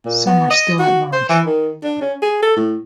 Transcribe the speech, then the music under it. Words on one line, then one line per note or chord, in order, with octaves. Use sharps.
Some are still at large.
A#2
B3
D#5
F#4
C5
E3
D#3
D4
C#4
G#4
A4
A2